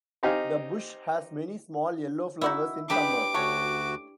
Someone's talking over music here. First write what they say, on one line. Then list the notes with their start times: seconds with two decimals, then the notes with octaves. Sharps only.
The bush has many small yellow flowers in summer.
0.23 C4 D#4 G4 F5 G#5
2.41 D#4 E4 F#4 E5
2.90 G3 G#3 D4 G4 G#4 B4 D6
3.34 D2 A3 C#4 F#4 C#5